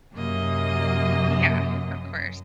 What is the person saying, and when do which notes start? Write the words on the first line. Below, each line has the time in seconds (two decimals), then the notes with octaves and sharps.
Yeah, of course.
0.15 F#2 C3 A#3 D#5